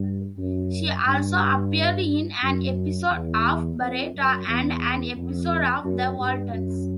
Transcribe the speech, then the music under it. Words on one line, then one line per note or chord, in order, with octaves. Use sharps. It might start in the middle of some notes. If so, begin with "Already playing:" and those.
She also appeared in an episode of "Baretta" and an episode of "The Waltons".
Already playing: G2
F#2
G2
F#2
E2
F2
F#2
E2
F2
F#2
G2
F#2